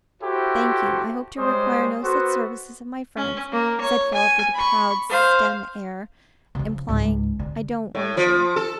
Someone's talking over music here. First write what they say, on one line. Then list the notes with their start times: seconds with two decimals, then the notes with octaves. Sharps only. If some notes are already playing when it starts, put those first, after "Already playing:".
'Thank you; I hope to require no such services of my friends,' said Philip, with a proud stem air, implying, 'I don't want you.'
0.22 E4 F#4 G4 A4 C5
1.38 G3 G#3 C5 C#5 D#6
2.04 B3 F#4 A4 C5
3.16 C#4
3.52 A#3
3.80 C#5
4.14 G#5
4.54 B5 C#6
5.09 C5 F5
6.55 C#3 F3
6.89 C#2 G#2
7.39 D3
7.95 A2
8.17 F3
8.56 A4